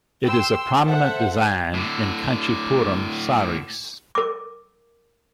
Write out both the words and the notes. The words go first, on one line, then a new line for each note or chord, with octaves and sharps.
It is a prominent design in Kanchipuram saris.
G5 C6 E6
A4 C5 E5 F#5
A2 D3
A#4 D6